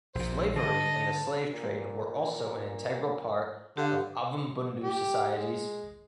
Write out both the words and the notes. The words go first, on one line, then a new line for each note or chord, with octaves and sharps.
Slavery and the slave trade were also an integral part of Ovimbundu societies.
A#1 A#2 C5
D3 D#5 A5
A#2
D3 G4 F5
G4
G#3